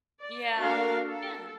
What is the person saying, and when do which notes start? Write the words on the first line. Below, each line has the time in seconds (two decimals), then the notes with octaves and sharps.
Yeah, yeah.
0.21 D5
0.59 A#3 D4 F#4 A4 A#4 F5
1.06 A4